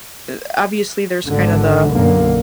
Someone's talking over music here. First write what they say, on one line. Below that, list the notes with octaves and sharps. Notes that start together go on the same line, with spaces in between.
eh, obviously, there's kind of the
G#1 D3
B1 F#2 D3 A#3